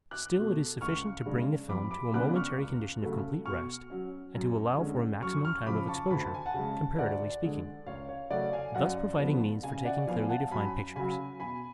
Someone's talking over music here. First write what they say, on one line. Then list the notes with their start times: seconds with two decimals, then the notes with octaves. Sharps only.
Still it is sufficient to bring the film to a momentary condition of complete rest, and to allow for a maximum time of exposure, comparatively speaking, thus providing means for taking clearly defined pictures.
0.11 D6 F#6
0.36 B2 A3
0.81 C#2 C#6 F6
1.26 C#3 G#3 D4
1.69 F2 B5 D6
1.91 B5 D6
2.13 C#3 G#3 B3 D4 D6 F#6
2.35 C#6 F6
2.58 C#2
3.02 C#3 F#3 A3
3.46 B2 C#6 F6
3.90 F#3 C#4
4.35 F#2
4.78 D3 G#3 C#4
5.22 F#2 C#6 F6
5.45 C#6 F6
5.66 C#3 F3 B5 D6
5.88 A5 C#6
6.10 D2 B5
6.22 A5
6.34 G#5
6.46 F#5 A5
6.54 C#3 G#3
6.98 D2 D5 F#5
7.43 D3 G#3
7.86 C#2 C#5 F5
8.09 C#5
8.31 C#3 F#3 A3 C#4 D5 F#5
8.53 F5 G#5
8.75 F#2 D5 F#5
9.19 D3 F3 B3
9.63 C#3 F5 G#5
9.85 D5 F#5
10.07 F3 B3 F5 G#5
10.20 G#5
10.29 F#5 A5
10.51 F#2 G#5 B5
10.96 C#3 F#3 G#5 B5
11.40 B2 G#5 B5